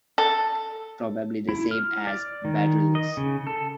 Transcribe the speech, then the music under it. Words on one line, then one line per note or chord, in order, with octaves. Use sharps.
Probably the same as Bardyllis.
A4
E4
F6
D5
D#3
D#5
C#3
A4